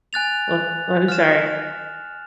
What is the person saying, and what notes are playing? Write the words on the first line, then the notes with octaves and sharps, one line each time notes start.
oh, I'm sorry,
G#5 F#6 A6 F7
F6 E7